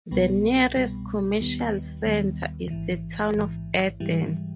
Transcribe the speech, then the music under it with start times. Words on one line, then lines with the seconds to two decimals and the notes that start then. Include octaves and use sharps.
The nearest commercial centre is the town of Eden.
0.11 C2 B2 G3 B3
0.76 C2 B2 G3 B3
1.40 D#2 D#3 G3 B3
2.05 D#2 D#3 G3 B3
2.70 A1 G#2 E3
3.35 A1 G#2 E3
4.00 G#2 E3 G3